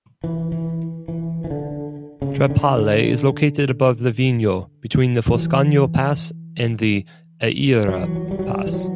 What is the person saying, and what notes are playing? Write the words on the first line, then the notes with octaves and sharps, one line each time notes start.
Trepalle is located above Livigno between the Foscagno Pass and the Eira Pass.
E3
E3
E3
E3
D3
C#3
D3
D3
F#3
E3
F#3
E3
F#3
G3
F#3
G3
E3
F#3